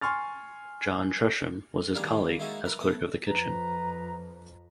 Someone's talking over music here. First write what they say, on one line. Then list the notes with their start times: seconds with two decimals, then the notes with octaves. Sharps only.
John Tresham was his colleague as clerk of the kitchen.
0.01 G#5 C6 C#6 F6 A6
1.95 D#3 G3 A#3 D4 G#4 A#4
2.39 G#3 A#3 D#4 E4 F#4 G#4
2.65 A#4 B4
2.80 A3 B3 D#6
3.28 F2 F3 B4 A#5